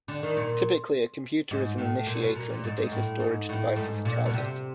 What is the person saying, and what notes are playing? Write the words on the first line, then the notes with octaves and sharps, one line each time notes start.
Typically, a computer is an initiator and a data storage device is a target.
D3
D#3
A#2
G#2
A2
A#2
B2
A#2
A#2
G#2
G#2
A2
G#2
A2
G#2
A#2
B2
C3